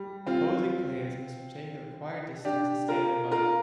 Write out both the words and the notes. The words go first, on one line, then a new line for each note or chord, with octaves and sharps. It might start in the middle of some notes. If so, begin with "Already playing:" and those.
Opposing players must retain the required distance as stated above.
Already playing: G3
C4 F4
D4 G4
F4 A#4
F4 A#4